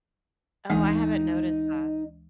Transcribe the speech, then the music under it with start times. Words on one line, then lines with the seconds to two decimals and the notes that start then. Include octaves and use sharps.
Oh, I haven't noticed that.
0.70 D2 E3 G#3 D#4